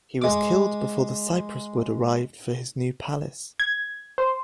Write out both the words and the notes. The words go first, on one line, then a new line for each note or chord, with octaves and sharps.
He was killed before the cypress wood arrived for his new palace.
G#3 D6
G#6
C5